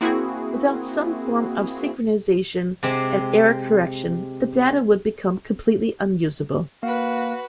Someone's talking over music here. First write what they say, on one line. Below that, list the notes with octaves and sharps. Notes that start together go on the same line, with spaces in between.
Without some form of synchronization and error correction, the data would become completely unusable.
A#3 C4 E4 F#4 G#4
C3 G#3 C4
A#3 F#4 B4 F5